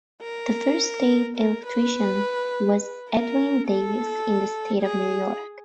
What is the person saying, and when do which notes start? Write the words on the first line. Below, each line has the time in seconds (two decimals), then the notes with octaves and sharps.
The first state electrician was Edwin Davis in the state of New York.
0.22 A#4
1.37 A#4
1.66 B4
3.10 A#4
3.68 A4
4.82 G#4